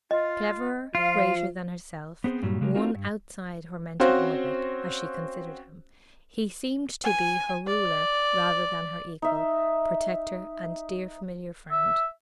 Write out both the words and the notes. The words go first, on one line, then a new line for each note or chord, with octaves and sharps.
Cleverer, greater than herself, one outside her mental orbit, as she considered him, he seemed to be her ruler rather than her equal, protector, and dear familiar friend.
F4 D#5
F3 F4 F5
B3 C4 G#4 C5
G2 A#2 F#3 G3
C#3 G#3 G4 A#4
C4 D4 D#4 F4 F#4 A#4
G2
C4 C#4 F#4 C5 F5
G#5
D5
D#4 E5
E5